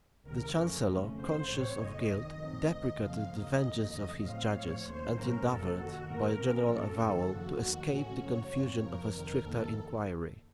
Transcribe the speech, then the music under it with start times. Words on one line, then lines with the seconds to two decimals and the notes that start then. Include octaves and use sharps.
The chancellor, conscious of guilt, deprecated the vengeance of his judges, and endeavored, by a general avowal, to escape the confusion of a stricter inquiry.
0.24 C#2 C3 D#3 A#4
0.54 F2 C#3 A3 C#4
0.85 F1 D#2 C#3 A3 C#4
1.15 F2 C#3 F#3 C5
1.46 A1 A2 F#3 C4 C#5
1.76 F#1 F2 C#3 F3 D#5
2.07 C2 C3 D#3
2.37 F#2 D#3 F#3 A3 C4
2.69 F1 D#2 D#3
2.99 F2 C#3 F3 A3 C4 F5
3.29 D#2 C#3 F#3 A#3 D#5
3.60 F2 D#3 A#3
3.90 F1 F2 C#3 F#3 A3
4.22 A2 F#3 C4 F5
4.52 A2 F3 A3 C4 C#5
4.82 D#2 C#3 A3 C5
5.13 A1 A2 F#3 A#3 C#4 A#4
5.43 F#1 F2 C3 A4
5.74 F2 C3 D#3 F#4
6.04 F#2 D#3 A#3 A#4
6.35 A#1 A#2 F3 C4
6.65 A2 F#3 A#3 C#4 A4
6.97 F#1 F#2 D#3
7.27 F#2 C#3 F3 A3 F#4
7.58 D#2 D#3 F#3 F#4
7.88 A1 A2 A3 C#4
8.19 F#2 C#3 F#3 C#5
8.50 F#1 F#2 F3 C4
8.80 F2 C3 F3 A#4
9.11 F1 F2 D#3 A#4
9.41 F#1 F2 D#3 A#3 A4